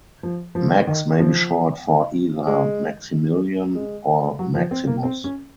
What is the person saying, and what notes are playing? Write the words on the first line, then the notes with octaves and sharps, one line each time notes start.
Max may be short for either "Maximilian" or "Maximus".
F3
F3
D#3
F3
G#3
G#3
F#3
F3
C4
A#3
C4
C#4